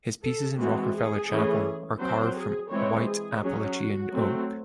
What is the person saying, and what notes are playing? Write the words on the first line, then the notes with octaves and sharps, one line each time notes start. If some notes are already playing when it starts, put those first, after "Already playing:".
His pieces in Rockefeller Chapel are carved from White Appalachian Oak.
A4
E3 G#3 C4 F#4
G#4
E3 A3 C#4
F#3 C4 C5
G#4
E3 G#3 C4 C#5
G#4
F#3 C#4 G#4
F#4
F#3 A3 C4